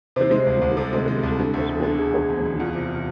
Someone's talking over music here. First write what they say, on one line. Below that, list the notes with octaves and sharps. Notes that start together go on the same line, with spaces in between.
The lead single for the mixtape was titled "Pork and Leek".
C3 C5
G#3
C2
C2
C3 A4
G#3
G#3
C2
D3
D2
E1
D3
E1 G#4
D2
E1
E1
E2 F4
C3